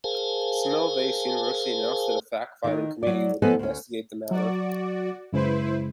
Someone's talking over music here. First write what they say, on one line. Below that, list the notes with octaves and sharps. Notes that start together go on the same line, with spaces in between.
Semmelweis University announced that a fact-finding committee would investigate the matter.
G#4 A#4 C5 F5 G#5 A5
D#3 A#4
F#3 D5
F3 B3 A4 B4 D#5 G#5
D2 C#4
F#3 F#4 D5
F#2 C#3 G#3 E4 B4 C5